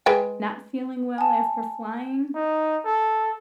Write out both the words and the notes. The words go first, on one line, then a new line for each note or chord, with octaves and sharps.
not feeling well after flying,
G#3 B4 G5
G#5 A5
D#4
A4